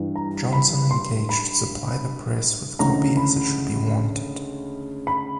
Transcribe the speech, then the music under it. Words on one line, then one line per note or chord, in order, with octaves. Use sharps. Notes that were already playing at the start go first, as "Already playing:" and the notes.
Johnson engaged to supply the press with copy as it should be wanted.
Already playing: G2 E3 G3
A#5
B5
C6
B5
D2 C#3 E3 G#3 A#5
B5
B5